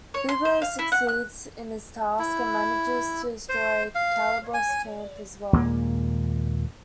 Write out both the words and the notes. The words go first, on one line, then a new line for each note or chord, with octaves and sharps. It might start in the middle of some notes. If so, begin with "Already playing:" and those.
Bubo succeeds in his task and manages to destroy Calibos' camp as well.
C#5
C6
C5
F5
E4
F#5
F#6
E4
C5
F5
G#5
D#2 A#2 G#3 A#3